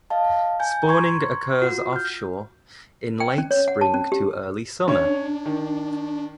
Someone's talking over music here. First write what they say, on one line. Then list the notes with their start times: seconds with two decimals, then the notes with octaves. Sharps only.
Spawning occurs offshore, in late spring to early summer.
0.10 D#5 F5 A5
0.60 G#5 G6
0.86 A#5 C6 C#6 G#6
1.62 F4 F#4
1.93 F6 G6
3.20 G5
3.38 C#4
3.51 C#5
3.68 F#5
3.81 A5
3.94 C#4
4.12 G4
4.88 C#4 D4 C#5
5.46 D#3